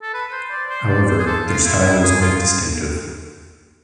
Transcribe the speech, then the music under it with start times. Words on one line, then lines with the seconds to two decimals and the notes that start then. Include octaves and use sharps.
However, their style was quite distinctive.
0.02 A4
0.14 B4
0.32 C5
0.51 D5
0.69 C5
0.89 D5
1.09 C5
1.19 G#4
1.27 A4
1.46 F4
1.65 E4
1.84 E4
2.03 G#4
2.21 F4